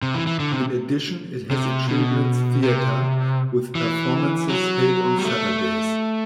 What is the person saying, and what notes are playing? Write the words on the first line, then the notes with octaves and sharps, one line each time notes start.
In addition, it has a children's theater with performances held on Saturdays.
C3
E3
E3
D3
C3
C3
B2
C3
E3
F#3
G3
A3